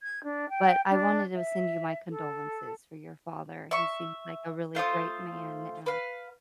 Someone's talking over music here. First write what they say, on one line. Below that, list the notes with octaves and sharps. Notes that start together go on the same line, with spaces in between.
but I wanted to send you my condolences for your father, he seems like a really great man, um,
G#6
D4
G5
D4
E5
A4
E5 C#6
A3 F4 C5 D#6
B4 F5